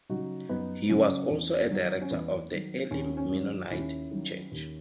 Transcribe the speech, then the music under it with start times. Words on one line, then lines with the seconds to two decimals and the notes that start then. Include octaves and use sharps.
He was also a director of the Elim Mennonite Church.
0.10 C#3 F#3 D#4 F#4
0.49 F#2 B3 D#4
0.89 C#3 F#3 C#4
1.30 E2
1.70 D#3 F#3
2.01 C#4
2.11 E2 B3
2.50 D#3 F#3
2.91 D#2 C#4
3.17 C#4
3.30 D#3 F#3
3.71 D#2 C#4 E4
4.11 D#3 F#3
4.52 D#2